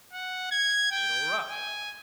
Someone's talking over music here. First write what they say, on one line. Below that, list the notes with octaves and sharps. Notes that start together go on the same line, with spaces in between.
It'll rot
F#5
G#6
G5
G#5